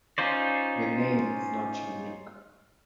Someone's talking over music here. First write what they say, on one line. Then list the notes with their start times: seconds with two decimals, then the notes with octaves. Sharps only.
The name is not unique.
0.18 C#4 D#4 F4 C5 D5